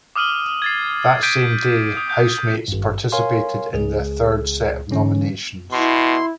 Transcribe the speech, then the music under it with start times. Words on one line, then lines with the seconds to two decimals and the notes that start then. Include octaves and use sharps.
That same day, Housemates participated in their third set of nominations.
0.16 D6 D#6 F6 D#7 F#7 G7
0.62 G#6 A6 C7
1.23 G6 G#6 B6 D7 D#7
1.97 D#6
2.10 G6
2.68 G#1 G2
3.12 A#4 C#5 F5 G#5 C6
3.73 C#2 G#4
4.91 G#2 D3 E3 C#4
5.72 B2 E4 C6